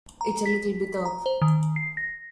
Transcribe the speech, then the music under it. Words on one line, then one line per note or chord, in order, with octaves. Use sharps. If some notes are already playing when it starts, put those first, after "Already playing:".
It's a little bit off.
A#5
B6
A#5
C5
D#3
C7
A#6